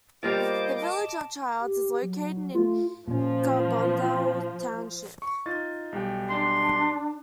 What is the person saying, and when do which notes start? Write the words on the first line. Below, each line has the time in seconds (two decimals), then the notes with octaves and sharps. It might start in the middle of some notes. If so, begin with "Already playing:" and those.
The village of Childs is located in Carbondale township.
0.23 G3 A#3 F4 C5 D#5 D6
0.82 A5
1.59 G4
2.02 F#3
2.54 A3 F4
3.07 A#2 F3 C#4
5.22 C#6
5.46 D#4 F4 A6
5.92 B1 G3 G5
6.30 D4 C6